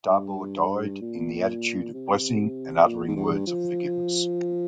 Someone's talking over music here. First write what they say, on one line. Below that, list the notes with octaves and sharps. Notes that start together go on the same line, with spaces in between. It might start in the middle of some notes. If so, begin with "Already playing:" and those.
Darboy died in the attitude of blessing and uttering words of forgiveness.
G2
A#2
C3
A#2
G#2
G2
F3